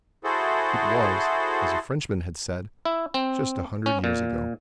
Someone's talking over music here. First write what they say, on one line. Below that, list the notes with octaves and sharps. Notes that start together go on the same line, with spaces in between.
It was, as a Frenchman had said, just a hundred years ago.
E4 F#4 G#4 A4 C5
E4
C4
C#4
A#2